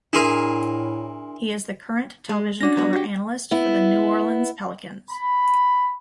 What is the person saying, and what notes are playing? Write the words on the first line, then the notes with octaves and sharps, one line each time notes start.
He is the current television color analyst for the New Orleans Pelicans.
A2 D4 E4 G#4 A#4 C6
G#3
C#4 D4 F#4 A#6
F#3 B3 F#4
F#4 G4
B3 E4
B5